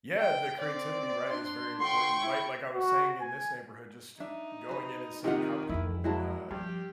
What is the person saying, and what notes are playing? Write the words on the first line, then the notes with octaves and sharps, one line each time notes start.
Yeah, the creativity, right, is very important. Like like I was saying in this neighborhood, just g going in and seeing how people, uh,
G5
C4 D5
D4 C6
D3 F4 G5 C6 C#6
E4
F#4
G#5
D4 D#4 E5
F#4 B4
C3 D#3 D#4 F4 F#5
F2 E3 E4
F#3 G#3 A#3 E4 F#4 A5
G2 F3 G4